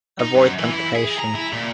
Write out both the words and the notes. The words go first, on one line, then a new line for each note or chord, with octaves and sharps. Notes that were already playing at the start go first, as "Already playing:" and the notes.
Avoid temptation.
D#4
F#2
E3
E4
G#4
A#5
E4
A#2